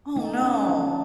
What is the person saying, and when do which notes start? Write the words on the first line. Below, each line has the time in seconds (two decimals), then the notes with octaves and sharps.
Oh, no.
0.16 A3 D#4
0.42 C#4
0.69 F3 D4